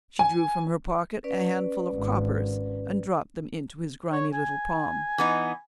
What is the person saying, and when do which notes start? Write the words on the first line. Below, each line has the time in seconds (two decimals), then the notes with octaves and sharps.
She drew from her pocket a handful of coppers and dropped them into his grimy little palm.
0.19 G#5
1.24 C#4 B4 D5
1.94 G#1
4.12 C#5
4.34 G#5
5.18 E3 B3 D#4